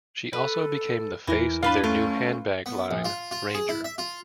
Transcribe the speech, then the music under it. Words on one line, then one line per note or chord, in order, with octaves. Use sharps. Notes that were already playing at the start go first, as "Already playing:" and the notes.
She also became the face of their new handbag line, Ranger.
A4 B4
E2 E3 E4 A#4
D4 F4 B4 F5 A5 B5
A3 C#4 F4
B3
A#1
F4
F4
G#4
E4
E5
F4